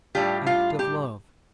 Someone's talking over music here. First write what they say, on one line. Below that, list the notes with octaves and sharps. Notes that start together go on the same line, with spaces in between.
Act of Love.
A2 G3 D4 F4 G4
F4
G4